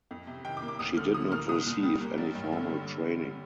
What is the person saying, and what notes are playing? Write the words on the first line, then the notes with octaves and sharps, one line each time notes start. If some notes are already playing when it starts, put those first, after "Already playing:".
She did not receive any formal training.
F2
C3
D#3 G5
D6
A#3
D6
D2 D#6
D3 F6
F3 D#6
A#3 F6
C2 D#6
A#2
G3
A#3
A1
G2
D3
G3